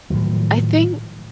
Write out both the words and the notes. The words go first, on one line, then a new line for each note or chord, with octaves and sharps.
I think
A2 D#3 F3 F#3